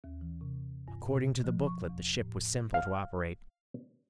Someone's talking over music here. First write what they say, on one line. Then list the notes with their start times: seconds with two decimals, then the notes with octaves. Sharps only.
According to the booklet, the ship was simple to operate.
0.04 D#2
0.21 E3
0.41 C3
0.88 G2
1.08 B2
1.44 F3
1.67 C#6
1.89 E2
2.21 A2
2.74 F5